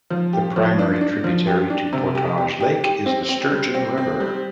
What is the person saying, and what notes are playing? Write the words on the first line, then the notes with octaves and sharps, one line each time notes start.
The primary tributary to Portage Lake is the Sturgeon River.
F3
G4
F3
D4
D4
F3
G4
D4
C3
G4
G4
G4
G4
C4
C4
G3
C4
C4
G3